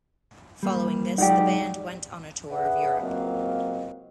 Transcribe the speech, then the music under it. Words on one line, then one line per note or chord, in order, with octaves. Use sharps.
Following this, the band went on a tour of Europe.
G3 A#3
F#3 G#3 D#4 G4 D5 F#5
D4 G#4 B4 E5 F#5
C#2 F#3 A#3 C4 D#5 F5